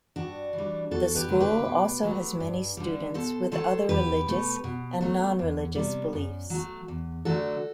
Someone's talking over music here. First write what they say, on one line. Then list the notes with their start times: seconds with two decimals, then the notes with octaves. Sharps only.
The school also has many students with other religious and non religious beliefs.
0.16 G2 D4 F#4
0.53 E3
0.58 G3
0.91 E2 F#4 A4
1.15 G4 B4
1.29 D3 F#3 A3
1.40 G4 B4
1.65 B2
2.03 F#3 A3
2.40 G2
2.77 D3 G3
3.14 B2 A4 C5
3.52 F#3 A3 A4 C5
3.89 E2 G4 B4
4.26 B2 A3
4.64 B2
5.01 F#3 A3
5.39 E2
5.75 C3 G3
6.13 F#2
6.50 F#3 A3
6.88 E2
7.25 D3 F#3 A3 F#4 A4